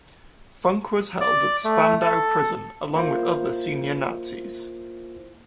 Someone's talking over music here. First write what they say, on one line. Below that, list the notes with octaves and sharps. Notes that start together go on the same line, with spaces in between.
Funk was held at Spandau Prison along with other senior Nazis.
D5
A3
A4
A#3 E4 F4 C5